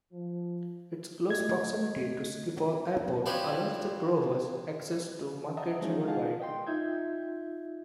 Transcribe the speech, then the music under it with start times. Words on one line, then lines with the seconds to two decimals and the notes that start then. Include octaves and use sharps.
Its close proximity to Schiphol Airport allows the growers access to markets worldwide.
0.13 F3
1.30 A3 D#5 G#6
3.26 E3 F3 C#4 G4 B4 D5
5.57 D#5 E5 F#5 A5 A#5 D#6
5.81 E3 F3 G#3 C#4 D#4 E4
6.07 D#4 F4 G#4 F5 F#5 A5
6.40 D#5 G5 C6
6.67 D#4 F4 E5 G6 G#6